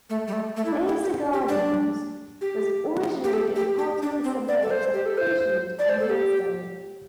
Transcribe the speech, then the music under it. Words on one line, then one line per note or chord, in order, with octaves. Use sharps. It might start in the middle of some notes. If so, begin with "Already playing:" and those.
Eastgardens was originally a part of the suburbs of Pagewood and Hillsdale.
A3
G3
A3
A3
E4
D4
E4
G4
G4
D4
G4
G4
A4
G4
G4
D4
C4
D5
A4
C5
G4
A4
C5
D5
C5
A4
G4